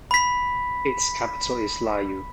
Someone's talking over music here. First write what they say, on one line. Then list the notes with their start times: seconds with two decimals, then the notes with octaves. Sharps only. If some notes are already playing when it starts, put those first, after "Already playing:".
Its capital is Layou.
0.11 B5 B6